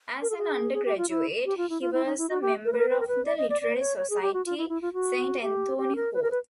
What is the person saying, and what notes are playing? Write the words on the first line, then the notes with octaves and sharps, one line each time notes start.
As an undergraduate he was a member of the literary society, Saint Anthony Hall.
A#4
A4
G#4
G#4
G4
F4
E4
G4
F4
E4
F4
E4
D#4
E4
F#4
G4
A#4
B4
A#4
B4
A#4
B4
D5
D#5
D5
D5
C5
C#5
C#5
G#4
G4
F#4
F4
E4
E4
F4
F#4
G4
G4
A#4
B4
A#4
B4